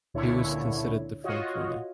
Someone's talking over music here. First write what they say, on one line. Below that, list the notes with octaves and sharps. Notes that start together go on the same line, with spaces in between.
He was considered the frontrunner.
C#2 A#2 D3 E4 C#5
F4 F#4 C#5 D#5